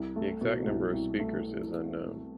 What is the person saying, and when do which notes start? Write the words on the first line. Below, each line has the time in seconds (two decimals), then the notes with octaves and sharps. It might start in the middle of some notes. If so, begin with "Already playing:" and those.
The exact number of speakers is unknown.
Already playing: C2
0.16 A3
0.41 B2
0.67 C2
0.93 C2
1.19 A3